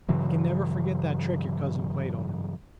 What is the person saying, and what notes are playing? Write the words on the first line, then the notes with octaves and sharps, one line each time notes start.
"He can never forget that trick your cousin played on him."
G2 C#3 E3 F#3